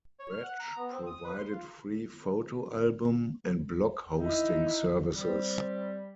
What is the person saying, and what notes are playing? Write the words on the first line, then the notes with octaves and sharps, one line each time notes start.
Wretch provided free photo album, and blog hosting services.
C#5
F6
F#5
A#5
B3
C4
D#6
B4
C6
F4
D#4 E4
G3 C4